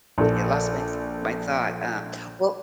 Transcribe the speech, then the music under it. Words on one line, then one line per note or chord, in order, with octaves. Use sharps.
I lost my th my thought, um, well
A#1 A4